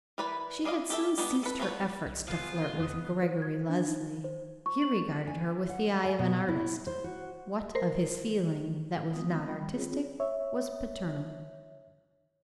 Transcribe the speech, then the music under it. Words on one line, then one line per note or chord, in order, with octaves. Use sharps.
She had soon ceased her efforts to flirt with Gregory Leslie; he regarded her with the eye of an artist--what of his feeling that was not artistic, was paternal.
E3 A#4 B4 D5 B5
G#4 D5 D#5 F5
G4 A4 E5
G#3 B3 D4 D#4 G4
A4 B4
B3 F4 A4 B4 C#5
C2
C3 F3 B3 F4 G#4
F2 B3 D#6
C5
G#6
D4
D#4
C5
C#6
F#7
G#5
F#5
G#5
B2
E4
C5
F#4
A#4 C5
G#3 B3 C4 F4 D#6
G3 G5 B5
C4 C#4 F4 G#4 C#5
C#5 E5